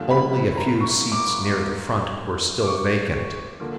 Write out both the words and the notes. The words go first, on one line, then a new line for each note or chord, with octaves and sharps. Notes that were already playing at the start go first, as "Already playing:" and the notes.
Only a few seats near the front were still vacant.
Already playing: G2 D3 F3 A#3
B5
B5
A#5
C#6
D6
D6
D6
C#6
D3 F3 A#3